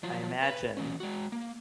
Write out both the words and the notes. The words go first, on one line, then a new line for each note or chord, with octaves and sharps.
I imagine
F3 F#3 F4
B4
E3 F#3 C#4
G#3 F#4
A#3